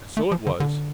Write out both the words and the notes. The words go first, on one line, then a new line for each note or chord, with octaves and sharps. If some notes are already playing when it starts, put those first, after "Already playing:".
And so it was.
A3
F3
D3
D3